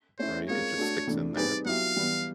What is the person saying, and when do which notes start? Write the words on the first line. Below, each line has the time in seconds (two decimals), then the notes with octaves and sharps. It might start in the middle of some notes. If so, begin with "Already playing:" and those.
right? It just sticks in there?
0.19 A3 C#4 E4 C5
0.48 G#3 C4 F4 A#4 C#5
0.78 A3 D4 F#4 A4
1.07 C3 E3 A3 D4
1.36 G3 C4 D#4 G#4 B4 D5
1.66 F#3 B3 E4 G4 F5
1.96 E3 G3 B3